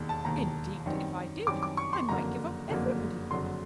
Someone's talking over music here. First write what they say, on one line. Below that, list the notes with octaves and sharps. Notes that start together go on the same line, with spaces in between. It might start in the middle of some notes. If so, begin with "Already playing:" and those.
Indeed if I did I might give up everybody.
Already playing: E1 D#2 D#3
A5
E1 D#2 D#3 A#5
F#2 D#3 G3 C4
F#2 D#3 G3 C4 D6
D6
C#6
C6
F#1 F2 D3 F#3 A#3 A#5
F#1 F2 D3 F#3 A#3
F#1 F2 D3 F#3 C6